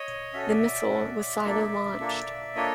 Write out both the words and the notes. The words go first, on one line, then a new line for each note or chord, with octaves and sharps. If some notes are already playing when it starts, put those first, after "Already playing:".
The missile was silo-launched.
Already playing: C#5 D#5
C#4 F#4 A4 E5
D#5
D5 E5
C#4 F#4 A4
A#3 D4 F4 A4
A#3 D4 F4 A4
A#3 D4 F4 A4 C#5 D#5